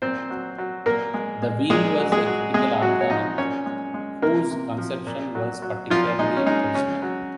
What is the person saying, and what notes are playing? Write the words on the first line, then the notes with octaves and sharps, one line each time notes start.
The wheel was a critical organ whose conception was particularly original.
A#2 C4 C5
F#3
F#3
A#2 A#3 A#4
G#3
G#3
A#2 G#3 G#4
F#3
G#3 G#4
F#3
C3 G#3 G#4
C3 F#3 F#4
C#5
F3 D#4 D#5
A#2 C#4 C#5
G#3
G#3
C3 A#3 A#4
C3
F3
A#2
F#3
F#3
A#2 F3 F4
G#3 D#4
C#4
G#3 D#4
C#3 C#4
F#3